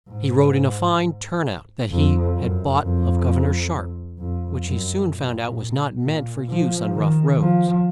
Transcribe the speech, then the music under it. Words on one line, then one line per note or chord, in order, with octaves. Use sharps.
He rode in a fine turn-out that he had bought of Gov-er-nor Sharpe, which he soon found out was not meant for use on rough roads.
G#2
F2
F#2
F2
F2
F#2
A#2
A#2
F3
D#3
F3